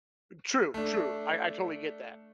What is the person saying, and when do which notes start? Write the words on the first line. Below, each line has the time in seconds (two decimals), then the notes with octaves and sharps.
True. True. I I totally get that.
0.74 A3 D4